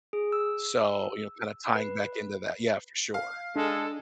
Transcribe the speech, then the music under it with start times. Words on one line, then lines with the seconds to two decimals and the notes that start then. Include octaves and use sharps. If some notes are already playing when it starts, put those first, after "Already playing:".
so, you know, kind of tying back into that yeah, for sure.
0.13 G#4
0.32 E6
1.75 B4
3.14 F5
3.56 G#3 D4 A4